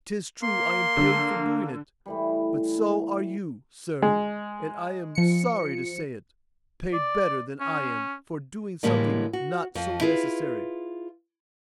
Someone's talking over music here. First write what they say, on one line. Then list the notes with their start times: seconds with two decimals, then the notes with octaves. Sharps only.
'Tis true I am paid for doing it; but so are you, Sir: and I am sorry to say it, paid better than I am, for doing something not so necessary.
0.43 A#3 C6
0.97 D3
2.06 A2 E3 G3
4.02 G#3
5.15 F3 C#7
6.93 D5
7.60 C#4
8.83 A2 D3 E3 G3 G#3 A#3
9.33 F#4
9.75 F2 F3
10.01 E4 F4 G#4 B4